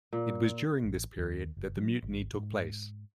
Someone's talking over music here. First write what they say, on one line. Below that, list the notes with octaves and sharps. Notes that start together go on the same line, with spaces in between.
It was during this period that the mutiny took place.
A#2
A1
D#2
F#1
F#3
G#1
G#2